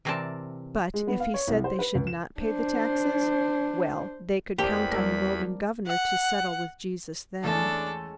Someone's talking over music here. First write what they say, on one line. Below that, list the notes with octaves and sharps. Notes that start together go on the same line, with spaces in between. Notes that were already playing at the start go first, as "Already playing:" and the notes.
But if he said they should not pay the taxes--well, they could count on the Roman governor to settle with Jesus then.
C3 E3 C4 A#4 D5 A5
G#3
B3
F5
C#5
C2
C5
B4
C#2
E7
D4 C5
E2 A#3 C4 D4 G4 B5
G3 D4 A#4 E6
F#5
E2 G#3 A3 C#4 D4 A4